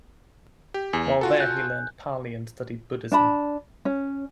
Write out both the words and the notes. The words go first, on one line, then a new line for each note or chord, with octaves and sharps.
While there, he learned Pali and studied Buddhism.
G4
E2 G#5
F4 F#4 A4
F#6 G6
D4 A5 B5
C#4